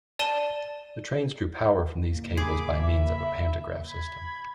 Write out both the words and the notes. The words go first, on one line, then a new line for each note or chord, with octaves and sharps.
The trains drew power from these cables by means of a pantograph system.
D5 A5 D#7 G7
G#1 C#3 A#3
G#4 B5 D6
E5
B5 G#6